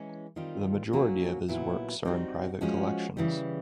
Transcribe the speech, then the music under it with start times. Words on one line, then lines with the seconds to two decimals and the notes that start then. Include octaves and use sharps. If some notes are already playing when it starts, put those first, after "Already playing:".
The majority of his works are in private collections.
Already playing: E3 G#3 C#4
0.36 D#3 G3 C4 F4
0.93 F#3 A#3 C#4 F#4
1.48 A#2 F#3 B3 E4
2.05 G3 C4 D#4 F#4
2.61 F3 G#3 C#4 F#4
3.17 C#3 E3 G3